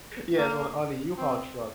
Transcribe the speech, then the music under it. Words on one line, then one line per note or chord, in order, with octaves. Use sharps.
Yes, on on a U-Haul truck,
A#3
C4